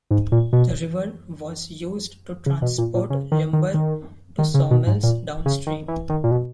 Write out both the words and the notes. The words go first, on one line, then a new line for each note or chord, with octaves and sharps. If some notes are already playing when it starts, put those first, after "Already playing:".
The river was used to transport lumber to sawmills downstream.
G#2
A#2
B2
C#3
B2
A#2
A#2
C#3
D#3
D#3
D#3
D#3
C#3
B2
G#2
A#2
C#3
D#3
E3
D#3
A#2
B2